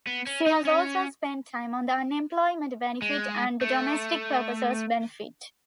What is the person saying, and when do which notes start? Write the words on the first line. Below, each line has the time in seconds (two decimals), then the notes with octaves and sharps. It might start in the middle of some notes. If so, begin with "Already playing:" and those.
She has also spent time on the unemployment benefit and the domestic purposes benefit.
0.07 B3
0.27 C#4
0.46 D#4
0.65 C#4
3.02 G#3
3.61 A3